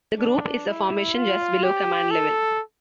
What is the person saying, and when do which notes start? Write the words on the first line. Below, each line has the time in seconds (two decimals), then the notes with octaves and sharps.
The group is a formation just below command level.
0.19 D4
0.67 E4
1.14 F4
1.63 G4
2.11 A4